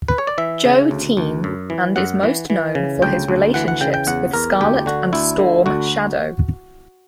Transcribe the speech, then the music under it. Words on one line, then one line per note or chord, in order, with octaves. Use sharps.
Joe Team, and is most known for his relationships with Scarlett and Storm Shadow.
B4
C#5
D5
E3 E5
C#3
D2
D2
F#2
E3
F#2 F#5
E3
E3
C#3
D2 G5
D2
E3 F#5
F#5
C#3 G5
G5
E2 F#5
E2 A#4
D2 G4
D3 F#4
D2 E4
D3
D2 F#4